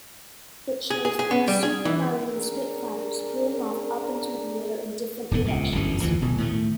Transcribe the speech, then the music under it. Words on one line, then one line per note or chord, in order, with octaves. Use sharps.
It shows three Supermarine Spitfires peeling off up into the air in different directions.
G#4
G#4
G#4
B3
G3
G#4
E3
D4 G#4 A#4
E1 G#2 B2 B3
D#1 C#2 C3
G1 F#2 D3 E3
D2 E3 F3
D1 B2
A2 D#3 A3